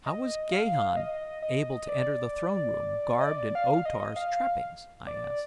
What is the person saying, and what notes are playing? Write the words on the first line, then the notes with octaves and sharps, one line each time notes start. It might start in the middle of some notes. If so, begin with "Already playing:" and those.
"How was Gahan able to enter the throne room garbed in O-Tar's trappings?" I asked.
D#5
F5
D#5
D#5
D5
D#5
D5
F5
D#5
F5
D5